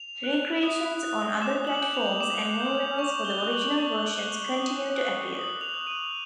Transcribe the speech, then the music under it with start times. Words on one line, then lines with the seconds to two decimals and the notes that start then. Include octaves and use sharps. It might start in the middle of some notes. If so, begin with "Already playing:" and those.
Recreations on other platforms, and new levels for the original versions continue to appear.
Already playing: F7
0.24 F#6
0.63 D#6
1.03 F#6
1.42 D6 E7
1.67 F#7
1.81 G6
1.94 F7
2.21 D6 E7
2.60 G6
2.98 C#6 F7
3.25 G7
3.38 F#6
3.51 F#7
3.78 C#6
4.17 F#6
4.56 D#6
4.95 F#6
5.35 D#6 F#7
5.61 F7
5.74 F#6
5.87 D#7